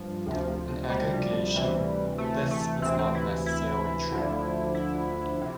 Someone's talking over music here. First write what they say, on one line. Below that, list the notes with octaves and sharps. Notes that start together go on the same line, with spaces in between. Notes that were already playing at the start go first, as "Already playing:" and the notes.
In aggregation, this is not necessarily true.
Already playing: G2 F3
D2 C3 F3
G3
D2 C3 E3
A3
A3
D2 C3 E3 C4
C4
E4
E4
D2 D3 F3
E4
C3